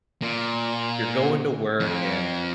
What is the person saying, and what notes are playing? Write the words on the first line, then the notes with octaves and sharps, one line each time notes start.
you're going to work and,
A#2
F2